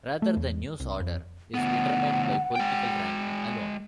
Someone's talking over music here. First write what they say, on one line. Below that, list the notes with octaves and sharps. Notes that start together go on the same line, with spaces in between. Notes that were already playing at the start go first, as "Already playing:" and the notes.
Rather the news order is determined by political ranking alone.
A3
E2
C2
F2
D2 B3 F#5
G#3 G5